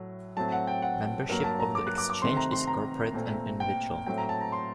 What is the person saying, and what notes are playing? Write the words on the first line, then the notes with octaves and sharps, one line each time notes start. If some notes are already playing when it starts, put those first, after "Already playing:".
Membership of the Exchange is corporate and individual.
Already playing: A2 F#3 A3
A2 F#3 C4 A5
F#5
G5
F#5
G2 F#3 A#3 A#4
A5
A#5
D6
F#6
D6
D6
C3 D#3 A3 C4 C6
A#5
C6
A#5
A#2 A3 C4
G5
A2 F#3 C4 G5
A#5
A5
A#5
C6